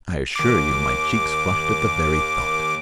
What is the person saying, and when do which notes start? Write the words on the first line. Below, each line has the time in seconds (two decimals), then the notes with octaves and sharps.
I assure you my cheeks flushed at the very thought.
0.36 D#2 D6